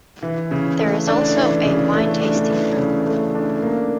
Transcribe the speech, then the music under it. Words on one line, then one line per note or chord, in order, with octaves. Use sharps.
There is also a wine-tasting room.
E3
C#3
A3
D4
E3
C#3
A3
D4
E3
C#3
A3
D4
A#3